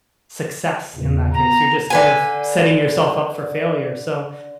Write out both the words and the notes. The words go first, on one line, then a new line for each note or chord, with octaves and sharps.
success in that case. You're just kind of setting yourself up for failure, so
E2 A#2 C#3
B3 A#5
D3 B4 G#5